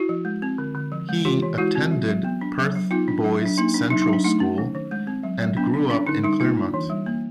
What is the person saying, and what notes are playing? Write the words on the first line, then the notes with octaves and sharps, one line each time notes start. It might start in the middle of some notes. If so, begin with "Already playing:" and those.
He attended Perth Boys Central School and grew up in Claremont.
Already playing: E4 F#4
F3
G#3
C4
D3
D3
F3
G#3
E3 F4 G4
E3
G#3 E4 F#4
C4
F#3
F#3
B3
D4
F#3
F#3
B3 D#4 F4
D4
F#3
F#3 D4
A#3 D#4
D4
F#3 D#4
D#4
F#3
D4
A3 D#4
C#4
D#3
D#3
G#3
C4
F#3
F#3
B3 D4
D4
C#4 D4
D3 D#4
G3 D#4
A#3 D#4 F4
D4
E3
G3
A#3